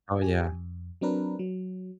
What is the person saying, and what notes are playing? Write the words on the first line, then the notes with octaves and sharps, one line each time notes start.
Oh, yeah.
G4 G#5
F2
F#3 C4 D4 A#4 B4
F#3